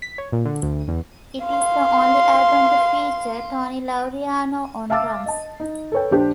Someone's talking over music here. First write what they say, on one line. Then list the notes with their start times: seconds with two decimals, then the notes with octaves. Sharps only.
It is the only album to feature Tony Laureano on drums.
0.02 B6
0.18 C#5
0.32 A#2
0.46 D3
0.63 D2
0.88 E2
1.43 F5 C6
4.90 E5 F5 A5 D6 E6 A6
5.26 D#5 A5
5.60 D#4
5.92 A4 B4 C#5 G5
6.11 A#1 D4 G4 C5